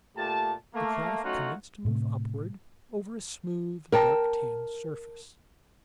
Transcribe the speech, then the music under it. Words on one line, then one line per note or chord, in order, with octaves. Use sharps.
The craft commenced to move upward, over a smooth, dark tan surface.
A#2 A3 G4 A5
A3 A#3
F#3 A3 C#4 D#4 F4 F#4
A2 C3
A#4 G5 A5